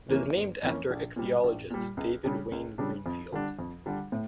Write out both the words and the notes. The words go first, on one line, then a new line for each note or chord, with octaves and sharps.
It is named after ichthyologist David Wayne Greenfield.
F2 E3 A#3 C#4
G1
F2 E3 A#3 C#4
A#1
A#2 G3
A#1
A#2 G3
C#2
C#3 G3 D4
C#2
C#3 G3 D4
F2
D3 G3 D4
F2
D3 G3 D4
A2